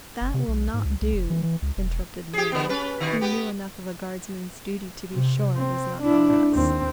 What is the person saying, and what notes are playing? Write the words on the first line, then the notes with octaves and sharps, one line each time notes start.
"That will not do," interrupted Mary, who knew enough of a guardsman's duty to be sure it was not onerous.
F#1
C3
B1
G#2
C#2
C2
F1
E3
E3
C#2
E1
G4 G#4
D3 B3
C#4 B4
B2 D#3
B3 G4
C3
C4
D4 E4
D#2 C4